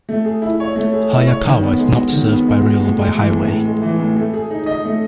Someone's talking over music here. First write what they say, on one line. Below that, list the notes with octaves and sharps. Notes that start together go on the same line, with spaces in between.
Hayakawa is not served by rail or by highway.
A3
G#4
E4
C#5
A3
G#4
E4
C#5
D#3
B3
G#3
F#4
D#3
B3
G#3
F#4
A2
G#3
E3
A2
A2
G#3
E3
A2
A3
G#4
D#4
D#5
A3